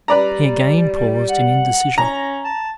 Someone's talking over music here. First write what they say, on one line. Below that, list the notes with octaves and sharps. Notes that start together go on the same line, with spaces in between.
He again paused in indecision.
G3 B4 D5 A#5
F#5
C#4 A#5
A5